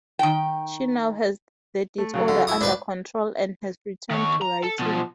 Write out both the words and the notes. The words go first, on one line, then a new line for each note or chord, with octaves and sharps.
She now has the disorder under control and has returned to writing.
D#3 G5
A3
C#3 F#3 A4
D3
E4 D#6
G#1 C#2 D4 B4 D5
D#3 C#5
A#5
A4
B2 F3